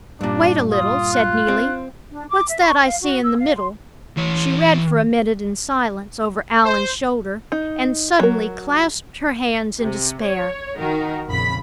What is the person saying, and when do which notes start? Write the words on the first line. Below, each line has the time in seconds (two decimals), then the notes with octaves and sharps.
"Wait a little," said Neelie; "what's that I see in the middle?" She read for a minute in silence, over Allan's shoulder, and suddenly clasped her hands in despair.
0.21 G2 A#2 D4
0.71 F4 D#6
1.14 F#6
1.48 C4
2.10 D4
2.29 D6
2.48 E5
2.62 C#6
2.84 F5
3.01 F#4
3.24 E6
3.36 F5
3.56 C6
4.16 E3 C#5
6.65 C5
7.52 D#4
8.20 F#3 A#4
9.80 C3
10.22 C#5
10.77 D#3 D#4 F#4 A#4
11.28 A#1 F2 C#3 B5 B6